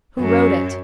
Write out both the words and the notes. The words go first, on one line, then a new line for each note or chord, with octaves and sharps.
"Who wrote it?"
F#2